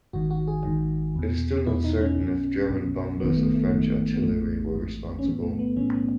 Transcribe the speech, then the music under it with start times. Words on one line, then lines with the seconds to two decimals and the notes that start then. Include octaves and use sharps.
It is still not certain if German bombers or French artillery were responsible.
0.13 G#1 G#2 D#3 F#4
0.30 F#4
0.48 G#4
0.64 G#1 G#2 D#3
1.15 E2 B2
1.66 E2 B2 E4
1.84 D#4
2.01 C#4
2.18 B1 B2
2.69 B1 B2
3.20 G#1 G#2 D#3 B3
3.37 A3
3.54 A3
3.72 G#1 G#2 D#3
4.14 B3
4.23 A1 G#2 E3 A3
4.74 A1 G#2 E3
5.19 C#4
5.25 B1 A2 E3 B3
5.42 A3
5.53 A3
5.59 B3
5.76 B1 A2 E3 C#4
5.93 B3